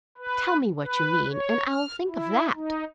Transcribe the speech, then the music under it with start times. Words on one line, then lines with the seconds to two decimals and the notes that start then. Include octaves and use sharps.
"Tell me what you mean, and I'll think of that."
0.18 B4
0.82 B4
1.32 C#5
1.69 F6
2.09 E4
2.55 D#4